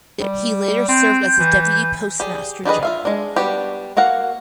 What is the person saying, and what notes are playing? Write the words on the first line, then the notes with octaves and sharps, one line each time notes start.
He later served as the Deputy Postmaster General.
G3
C4 G6
E3
G4 G#4 D5
D4 G4 G#4 B4 D#5
F4 E5 F5
G#3 D4
G3 B3 D4 F#4 G4
A#3 F#4 F5 F#5